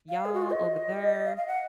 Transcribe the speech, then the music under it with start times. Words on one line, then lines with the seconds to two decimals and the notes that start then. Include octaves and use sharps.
"Y'all, over there."
0.09 F5
0.25 G#4
0.34 F#4
0.42 F4
0.51 D#5
1.25 F5
1.37 F5
1.47 F#5